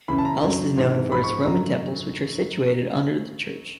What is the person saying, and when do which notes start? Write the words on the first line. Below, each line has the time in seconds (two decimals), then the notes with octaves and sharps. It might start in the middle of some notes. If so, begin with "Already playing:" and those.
Elst is known for its Roman temples, which are situated under the church.
0.08 F#2 C#3 E3 B5
0.18 A5
0.25 A#5
0.43 F#2 D3 F#3
0.77 G#2 E3
1.12 G#2 F3 B5
1.24 C#6
1.46 F#2 D3 F#3 A#5